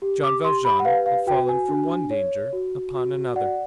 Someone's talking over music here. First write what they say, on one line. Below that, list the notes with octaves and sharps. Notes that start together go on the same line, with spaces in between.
Jean Valjean had fallen from one danger upon another.
G4
D6
G4 C6
B5
F#5
B4 F5
F5
F#4 G5
G#5
D4
C#5
F#4
F#4
D5 F#5